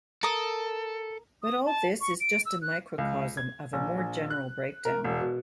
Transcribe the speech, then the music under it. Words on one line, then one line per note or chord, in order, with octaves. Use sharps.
But all this is just a microcosm of a more general breakdown.
A4 A#4 D#6
D#6
A5
C#6
D7
E6
F#6
C#2
G#6
A#1
A#1
F#6
A#4
E1
B2